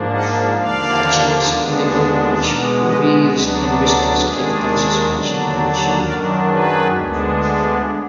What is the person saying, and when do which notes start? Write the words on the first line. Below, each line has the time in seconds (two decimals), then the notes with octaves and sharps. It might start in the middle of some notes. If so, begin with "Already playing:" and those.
The chains from the old bridge were re-used in Bristol's Clifton Suspension Bridge.
Already playing: G#2 F3 A#3 D4
0.11 D#5 F#5
0.57 D#2 D3 F3 A#3 D4 D5 F5
1.48 D#2 D3 G#3 B3 D4
2.38 B2 G#3 B3 A#4 D5
2.83 B4 D#5
3.28 D2 D3 F#3 B3 D4 B4 D#5
3.74 A#4 D5
4.19 D#2 D#3 G#3 D4 G#4
5.10 D#2 D3 F#3 D4
6.00 F#2 D#3 F#3 D4 A#4 D5
6.46 G#4 B4
6.92 D2 D3 G#3 B3 D4